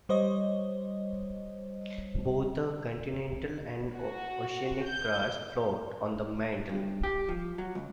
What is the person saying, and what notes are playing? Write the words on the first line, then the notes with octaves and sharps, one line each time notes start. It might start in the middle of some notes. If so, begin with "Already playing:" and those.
Both the continental and oceanic crust "float" on the mantle.
G3 C5 C#5 D#5
F#4
G6
G2
G4
F3
F#3
C#2